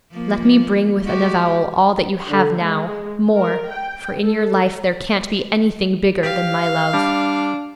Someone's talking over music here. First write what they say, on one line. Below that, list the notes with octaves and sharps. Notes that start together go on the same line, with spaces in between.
'Let me bring with an avowal all that you have now, more!--for in your life there can't be anything bigger than my love.
F3 A#3
G#3 F#4 G4
D3
G#3
A#4
G5
A4
G4 F5
G3 D4